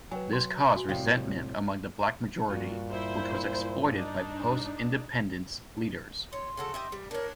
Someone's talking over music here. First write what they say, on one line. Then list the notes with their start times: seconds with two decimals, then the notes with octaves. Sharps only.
This caused resentment among the Black majority, which was exploited by post-Independence leaders.
0.11 F#3 B4 G5 G#5
0.33 C6
0.76 F#4 G#5
0.89 C2 A2 C3 F5 G5
2.49 G2 A#2 F4 F#4
2.90 E4 C5
3.88 D4 D#4
6.33 C#5 C6
6.57 C#3 F#4 A4
6.74 G4 D#5 E5
6.92 G3
7.11 D4 A#4 C#5